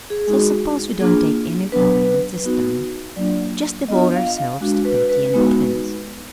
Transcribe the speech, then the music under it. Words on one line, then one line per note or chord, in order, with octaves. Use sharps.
"So suppose we don't take any of the Whalens this time--just devote ourselves to Patty and the twins."
G#4
G#3 D#4 F#4 G#4
A#3 D4 F4 G#4
F#3 B3 D4 B4
B3 D#4 F#4
F#3 A#3 D4 F4 D5
B3 D4 F4 D#5
F5
F5
G#3 D4 F#4
B4
B4
G#3 B3 D#4 F#4